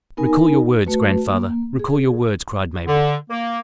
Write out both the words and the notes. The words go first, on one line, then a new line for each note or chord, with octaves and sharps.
"Recall your words, grandfather--recall your words!" cried Mabel.
B3 D#4 A#4 G#5
A3 F#4 B4
A#3
G#4
D3
A#3